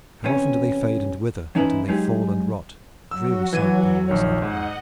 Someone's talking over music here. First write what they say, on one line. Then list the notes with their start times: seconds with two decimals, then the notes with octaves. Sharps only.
How often do they fade and wither until they fall and rot, a dreary sight, by the wayside of life!
0.24 C3 E3 C#4
1.55 E3 C#4 D#4 E4 B4 C5
1.88 F#3 G#3 D#4 G4 G#4
3.11 F#3 F#4 E6
3.53 E3 G#6 D#7
4.08 A#1 D#3 C#5
4.42 G#2 D#5 F#5